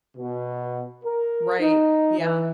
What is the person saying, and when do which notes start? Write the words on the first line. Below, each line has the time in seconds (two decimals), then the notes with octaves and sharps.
Right. Yeah.
0.17 B2
1.04 A#4
1.60 D#4
2.18 E3